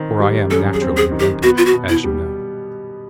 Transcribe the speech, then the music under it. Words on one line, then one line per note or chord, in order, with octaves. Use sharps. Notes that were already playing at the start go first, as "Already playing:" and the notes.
For I am naturally inventive, as you know.
Already playing: D#3 C4
G3
F#2 A4
G#4
C4
G#4
D#3
G4
B3 F#4
F4
F#4
B2
E4
G3